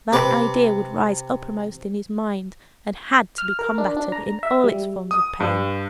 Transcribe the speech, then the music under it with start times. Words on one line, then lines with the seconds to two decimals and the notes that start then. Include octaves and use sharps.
That idea would rise uppermost in his mind, and had to be combated in all its forms of pain.
0.13 C3 B4 D6
3.38 F6
3.59 A#4
3.78 D4
3.97 D4
4.12 A#5
4.43 E5
4.64 G3
5.11 D#6
5.40 G2